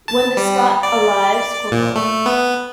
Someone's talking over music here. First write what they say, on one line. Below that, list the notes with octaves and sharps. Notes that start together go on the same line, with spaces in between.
When the Scot arrives, Cpl.
A5
G3
D5
A#2
A3
B3